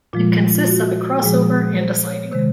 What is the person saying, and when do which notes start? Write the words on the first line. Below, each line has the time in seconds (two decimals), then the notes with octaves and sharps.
It consists of a crossover and a siding.
0.13 A#2 F3 G#3 F4
0.55 F4
0.68 F#4
1.22 A#2 F3 G#3 G#4
1.78 C5
2.04 C#5
2.32 C3 D#3 G#3 C5